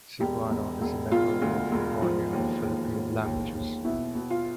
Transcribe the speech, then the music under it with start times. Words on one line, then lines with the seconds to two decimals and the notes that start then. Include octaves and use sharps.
Cebuano is a member of the Borneo-Philippine languages.
0.20 E1 G4
0.51 E1
0.81 E1
1.11 E1 F4
1.42 D2
1.72 E1
2.02 F3
2.33 D#2
2.64 D#2
2.94 D#2
3.24 D#2
3.54 D#2
3.84 B2 E4
4.15 B2
4.30 F4